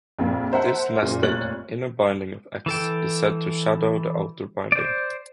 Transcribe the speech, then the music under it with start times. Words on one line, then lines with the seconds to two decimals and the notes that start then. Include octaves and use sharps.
This nested, inner binding of x is said to "shadow" the outer binding.
0.19 A#1 F2 A#3
0.52 A#4 C5 E5 F#5 A5
1.02 F#2 A#2
1.23 F1 A#2 C#5 F#6 A6 F#7
2.66 E3 A4 G5
4.72 C5 D5